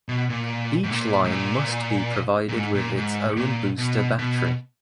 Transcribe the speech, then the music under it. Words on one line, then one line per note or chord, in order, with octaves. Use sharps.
Each line must be provided with its own booster battery.
B2
A#2
G#2
A#2
G#2
A#2
A#2
G#2
A#2
G#2
A#2
B2
B2